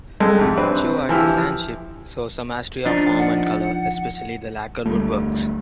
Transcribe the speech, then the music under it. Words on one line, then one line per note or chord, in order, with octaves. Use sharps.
Chu artisanship shows a mastery of form and color, especially the lacquer woodworks.
F2 G#3 A4
G#2 C3
C4 D4 B4
E3 F3 E4 G4
F3 D4 D#4
F#5
D2 G3 A3